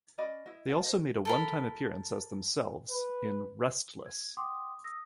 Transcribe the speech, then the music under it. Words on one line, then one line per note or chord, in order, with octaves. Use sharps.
They also made a one-time appearance as themselves in "Restless".
C#4 D5 D#5 B5
E4 D#5
F5 A5
C5 D#5
A4 A#4 B5
B4
G#6
F#5 G5 C6 D6 D#6
D#6 E6 A#6